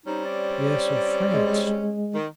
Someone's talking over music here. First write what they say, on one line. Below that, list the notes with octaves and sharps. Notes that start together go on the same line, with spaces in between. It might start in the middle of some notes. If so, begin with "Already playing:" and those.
Yes, of France.
G3 C4 C#4 D#4
D5
G#3
D#3